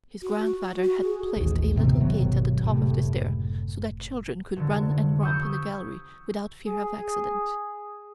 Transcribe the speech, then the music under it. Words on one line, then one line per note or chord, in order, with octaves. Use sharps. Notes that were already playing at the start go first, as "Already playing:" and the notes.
His grandfather had placed a little gate at the top of the stair, so that children could run and romp in the gallery without fear of accident.
F#4
F#4
F#4
F#4
G#4
A1 D#2
A2 C3 D#3 B3
G1 B2 D#3 F#3
F#1 A2 C3
F1 D3
B5 C#6 D#6 E6 G6 G#6
G#4